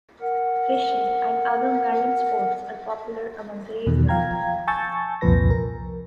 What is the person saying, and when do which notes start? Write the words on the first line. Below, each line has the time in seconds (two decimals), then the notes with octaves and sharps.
Fishing and other marine sports are popular among the area.
0.21 A#4 F#5
3.86 E2 B2 D#3
4.09 F3 F5 G5 A#5 G#6
4.68 G#5 A5 C#6 E6 G6 A6
5.21 C2 F2 A#2 F3 B4 A#6
5.50 A#4